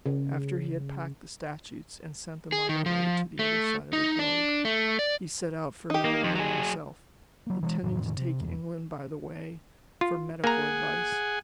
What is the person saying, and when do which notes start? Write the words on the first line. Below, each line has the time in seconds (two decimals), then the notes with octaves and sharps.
After he had packed the statues, and sent them on their way to the other side of the globe, he set out for Melbourne himself, intending to take England by the way for medical advice.
0.06 C#3
2.52 G#4
2.69 D#3
2.86 F3
3.39 A3
3.93 D#4
4.19 D4
4.65 A3
4.99 D5
5.90 D#4 G4
6.05 A#3
6.24 F2
6.35 F#3 G#4
7.47 F#3 A#3
7.63 E3 F#3 G#3
7.83 F2 A2 D#3 E3
8.17 C3
8.40 F#1 E2
10.01 F4
10.44 A#3 G#4 F#5 G#5 A#5